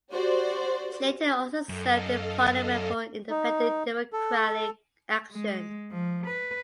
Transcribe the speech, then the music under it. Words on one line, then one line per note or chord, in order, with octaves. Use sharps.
She later also served in parliament for Independent Democratic Action.
F#4 G4 C5 D5
F#2 A4 D#5 F5
D#4
A4
G#3
F3
B4